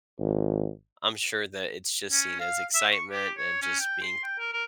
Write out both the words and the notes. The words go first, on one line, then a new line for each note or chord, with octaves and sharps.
I'm sure that it's just seen as excitement and just being
G#1
C#4
F5
E5
C#6
G4
C#5
C#4
G5
C6
G5
A#4
A#4